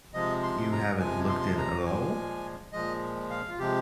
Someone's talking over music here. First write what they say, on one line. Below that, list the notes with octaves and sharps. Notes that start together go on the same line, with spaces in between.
You haven't looked in at all?
C3 F3 G#3 D#5
C6
A#5
C3 F3 G#3 G#5
C6
A#5
A#2 F3 G#3 G#5
A#2 F3 G#3 D#5
F5
F4
C3 F3 G#3 G4